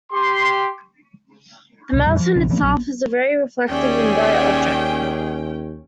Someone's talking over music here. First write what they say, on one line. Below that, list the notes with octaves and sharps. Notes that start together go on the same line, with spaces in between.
The mountain itself is a very reflective and bright object.
G4 C6
C2 B2
F2 A#2 G3
F3
B1 C#3 F3 D4
E3 F3 A#3
A#1 F#3
D#2 C#4 G#4 C#5 D5 E5 G5